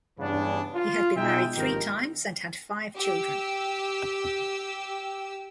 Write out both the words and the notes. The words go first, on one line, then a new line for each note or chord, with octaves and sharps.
He had been married three times and had five children.
G2 C#3 E3 G3 B3 D4
F4
B2 G#3 D#4 F4 E5 G5
G#1 G2 D#3 F3 G4 A#4
G4 E6